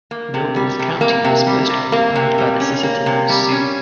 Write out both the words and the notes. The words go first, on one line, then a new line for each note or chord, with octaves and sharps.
Nobles County was first occupied by the Sisseton Sioux.
A#3
C3
G3
C3
A#3
C3
G3
C3
A#3
C3
G3
C#4
A#3
C3
G3
C#4